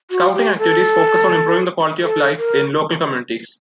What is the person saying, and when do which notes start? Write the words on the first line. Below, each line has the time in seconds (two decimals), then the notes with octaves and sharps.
Scouting activities focus on improving the quality of life in local communities.
0.11 F#4
0.35 G4
0.59 A4
2.03 A4
2.38 A#4